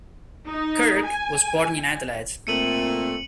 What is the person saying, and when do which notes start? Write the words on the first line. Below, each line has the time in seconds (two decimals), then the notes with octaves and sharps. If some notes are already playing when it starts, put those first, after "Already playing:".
Kirk was born in Adelaide.
0.48 D#4
1.07 G#5
2.47 A#2 A3 C4 C#7 D#7 F#7